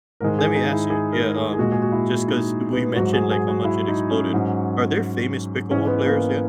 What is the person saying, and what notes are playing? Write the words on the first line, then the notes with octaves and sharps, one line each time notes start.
let me ask you yeah, um, just 'cause we mentioned, like, how much it exploded. Are there famous pickleball players yet?
G#2 D#3 G#3 A#4
G#4
D#4
E4
G#4
A#4
G#4
G#4
A#2 G#3 F#4
G#4
F#4
E4
D#4
B3
G#2 F#3 F#4
G#4
G#4
F#4
E4
D#4
C#4
G#2 F#3
G#2 E3 G#3 C#4
B3
A#3